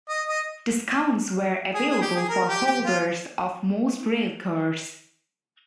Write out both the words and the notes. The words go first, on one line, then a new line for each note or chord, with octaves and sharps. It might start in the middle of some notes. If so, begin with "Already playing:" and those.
Discounts were available for holders of most Railcards.
D#5
D#5
G#4
G#4
G4
G#4
A#4
G4
G4
F4